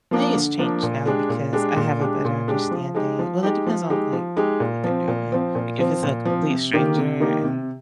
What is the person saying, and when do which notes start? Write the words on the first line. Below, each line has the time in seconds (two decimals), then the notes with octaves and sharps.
I think it's changed now because I have a better understanding well, it depends on, like, what they're doing. Like, if it's a complete stranger and
0.11 F3 A#3 D4
0.35 D3
0.59 F3 A#3 D4
0.83 A#2
1.06 G#3 D4 G4
1.29 A#2
1.53 G#3 D4 G4
1.76 A#2
2.00 G#3 D4 G4
2.25 A#2
2.48 G#3 D4 G4
2.71 F3
2.95 G#3 D#4 G4
3.19 F3
3.43 G#3 D#4 G4
3.67 F3
3.90 G#3 D#4 G4
4.13 F3
4.36 G#3 D#4 G4
4.60 A#2
4.84 F3 C4
5.08 A#2
5.32 F3 C4
5.55 A#2
5.79 F3 C4
6.03 A#2
6.25 F3
6.31 C4
6.49 C3
6.73 D#3 A#3 D#4 G4
6.98 C3
7.20 D#3 A#3 D#4 G4
7.44 C3